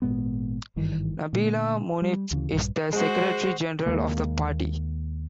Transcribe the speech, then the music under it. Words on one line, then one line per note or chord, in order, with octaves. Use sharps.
Nabila Mounib is the secretary-general of the party.
G#1 A#2 G#3 B3
G#1 G2 D#3 E3
A#2 D3
G3
D2 C#3 E3
A#1 G2
G#3 F#4 C5
D#2 G#3 A#3